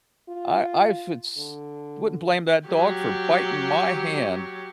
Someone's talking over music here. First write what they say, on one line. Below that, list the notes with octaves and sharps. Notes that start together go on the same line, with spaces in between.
I I futz wouldn't blame that dog for biting my hand,
F4
D3
F#3 G4